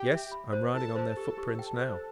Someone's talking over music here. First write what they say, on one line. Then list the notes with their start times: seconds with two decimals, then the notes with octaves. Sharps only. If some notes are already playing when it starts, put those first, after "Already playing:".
"Yes, I'm riding on their footprints now."
Already playing: G4 G5
0.10 E5
0.32 B5
0.53 C5
0.73 E4 A4 A5
0.96 C5
1.17 G4 A4 A5
1.38 G4
1.59 G5
1.81 C5